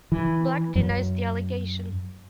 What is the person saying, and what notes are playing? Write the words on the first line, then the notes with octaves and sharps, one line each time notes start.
Black denies the allegation.
E3
F#2